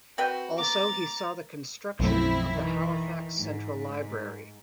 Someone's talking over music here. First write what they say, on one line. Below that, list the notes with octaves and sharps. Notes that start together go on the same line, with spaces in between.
Also, he saw the construction of the Halifax Central Library.
C4 F#4 B4 G5
A#5 D6 A6
B1 F#2 F3 A3 C4 E4
D#3 E3
G#2